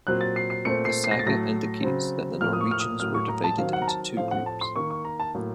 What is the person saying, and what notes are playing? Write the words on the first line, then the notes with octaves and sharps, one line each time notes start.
The saga indicates that the Norwegians were divided into two groups.
A#2 F#3 C4 F#6
A6
C7
C7
A#2 A3 C4 C#7
C7
C7
A#6
A6
A2 F#3 A3 A#6
C#3 F#3 C4
A2 F3 A#3 F6
D#6
C#6
F6
D#6
A2 F#3 A#3 F6
C#6
A#5
A5
D#3 F#3 C4 F5
F#5
A#5
A5
A2 F3 A3 C4 F5
F#5
A5
C6
D#3 A#3 C#6
C#6
A#5
A5
A2 F#3 A#3